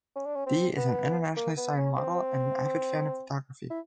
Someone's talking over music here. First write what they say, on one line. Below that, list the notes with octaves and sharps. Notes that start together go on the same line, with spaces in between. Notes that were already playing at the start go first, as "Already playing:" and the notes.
Dee is an internationally signed model and an avid fan of photography.
C#4
D4
C#4
C4
B3
A#3
B3
C#4
C4
E4